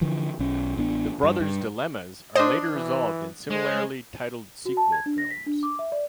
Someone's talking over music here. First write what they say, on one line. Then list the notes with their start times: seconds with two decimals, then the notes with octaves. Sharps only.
The brothers' dilemmas are later resolved in similarly titled sequel films.
0.01 D3 E3 F3
0.39 B1 C#4
0.77 A1 B3 D4
1.23 G2
1.40 G2
2.36 D4 C5 D#5
2.74 E3
3.50 G#3 C5
4.66 F#4
4.77 A5
4.92 G#6
5.06 D4
5.18 A#6
5.31 B6
5.46 D4
5.63 D6
5.79 E5
5.92 D5